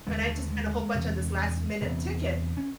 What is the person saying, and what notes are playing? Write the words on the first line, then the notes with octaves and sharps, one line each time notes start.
And I just spent a whole bunch on this last minute ticket.
D#2 D3 G#3
A3
G#3
E2 C3
E2 C3 B3
C#4